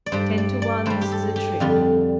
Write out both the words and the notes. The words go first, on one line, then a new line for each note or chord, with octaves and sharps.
"Ten to one this is a trick."
D5
G2 G3 C5
D5
D5
G2 G3 C5
G4
A4
G4
F2 D3 G3 F4